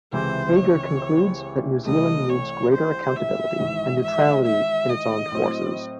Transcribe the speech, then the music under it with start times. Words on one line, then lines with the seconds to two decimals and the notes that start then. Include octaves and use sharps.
Hager concludes that New Zealand needs greater accountability and neutrality in its armed forces.
0.13 C#2 C3 E3 C4 E4 C5
0.56 C#5
1.86 C2 C3 E3 A3 D#5
2.29 C#5
2.72 C5
3.16 E5
3.58 G#1 G#2 E3
4.02 E5
4.46 E5
4.89 D#5
5.32 A2 F#3 C4